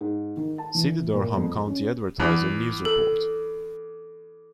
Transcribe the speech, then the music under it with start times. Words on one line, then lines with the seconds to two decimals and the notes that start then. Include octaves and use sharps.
See the Durham County Advertiser news report.
0.01 G#2
0.37 D#3
0.58 A5
0.75 E3
1.13 A#2
1.37 F2
1.67 C#4
2.20 E2
2.85 A4